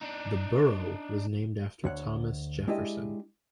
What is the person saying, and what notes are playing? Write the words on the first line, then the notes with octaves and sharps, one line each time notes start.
The borough was named after Thomas Jefferson.
D4 D#4
D2 C#5 F#5
G#3 D4 E4 G4 D#5